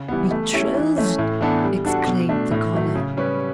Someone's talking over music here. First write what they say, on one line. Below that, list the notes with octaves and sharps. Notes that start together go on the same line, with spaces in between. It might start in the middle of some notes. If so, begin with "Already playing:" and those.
"Betrothed!" exclaimed the collar.
Already playing: C#3
E3 G3 B3
A3
C#4 E4 G4
E3
A3 C#4
A2
E3 B3 D4 A4
G3
D4 F#4 A4
B2
A3 D4
A2
F#3 A3
C#3
G3 C#4 G4 B4